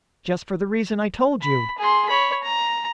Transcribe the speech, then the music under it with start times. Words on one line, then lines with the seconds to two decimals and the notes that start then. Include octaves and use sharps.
"Just for the reason I told you."
1.41 B5
1.78 G#4 C6
2.09 C#5 B5
2.43 A#5